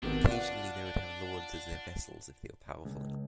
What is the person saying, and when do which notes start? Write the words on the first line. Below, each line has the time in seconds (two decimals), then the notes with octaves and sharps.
Occasionally they would have lords as their vassals if they were powerful enough.
0.03 G#1 C3 D#3 B3 D4
0.27 F4 D5 F#5
2.85 C#2